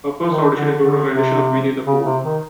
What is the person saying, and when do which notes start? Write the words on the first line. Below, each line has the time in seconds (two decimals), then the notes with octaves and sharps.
Her first audition included a rendition of Winnie the Pooh.
0.29 D#3
0.55 D3
0.81 D3
1.07 C3
1.85 C#3
2.04 C3
2.23 D#3